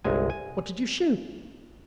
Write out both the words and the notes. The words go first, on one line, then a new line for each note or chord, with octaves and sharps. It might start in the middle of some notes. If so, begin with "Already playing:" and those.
'What did you shoot?
G1 C2 G#3 G#5
G#5